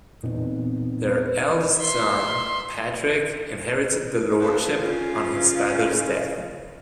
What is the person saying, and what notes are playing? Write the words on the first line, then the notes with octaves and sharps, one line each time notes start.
Their eldest son, Patrick, inherited the Lordship on his father's death.
E2 A#2 B3 C4 D#4
E5 C6
D2 G#2 F3 B3 B4 C5
C#3 F4